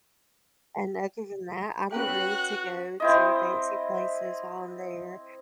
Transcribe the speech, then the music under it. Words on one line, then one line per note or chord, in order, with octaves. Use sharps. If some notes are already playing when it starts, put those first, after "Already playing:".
And other than that, I don't need to go to fancy places while I'm there.
C#4 F#4 B4 G5 F#6
C4 E4 D#5